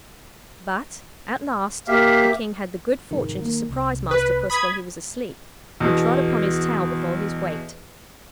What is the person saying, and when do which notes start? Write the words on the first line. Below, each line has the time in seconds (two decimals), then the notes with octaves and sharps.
But, at last, the King had the good fortune to surprise Master Puss while he was asleep, and trod upon his tail with all his weight.
1.88 A#3 G4 E5 F5
3.11 F1 G#2 D#3
3.42 D#3 A#3
3.69 C2
4.11 B4
4.50 B5 D#6 G#6
5.80 E2 B2